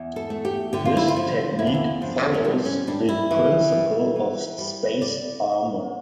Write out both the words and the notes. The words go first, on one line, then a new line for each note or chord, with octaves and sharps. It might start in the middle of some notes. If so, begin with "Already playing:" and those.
This technique follows the principle of spaced armor.
Already playing: E2
A4
A3
G4
D3 G4
F4
E4
F4
F3
E2 E4
D4
E4
F3 D4
C#4
G3 D4
C#4
G3 D4
E4
E3
G3
E3
G3
D5